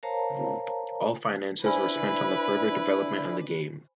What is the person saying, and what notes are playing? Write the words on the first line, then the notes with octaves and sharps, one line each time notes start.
All finances were spent on the further development of the game.
A#4 C5 C#5 F5 A5 A#5
D4 E4 B4 C5 G#5 B5